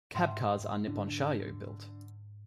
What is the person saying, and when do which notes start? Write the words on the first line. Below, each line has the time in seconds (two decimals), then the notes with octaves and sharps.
Cab cars are Nippon Sharyo built.
0.15 G#2 E5 F#5 G5 C6
0.87 D3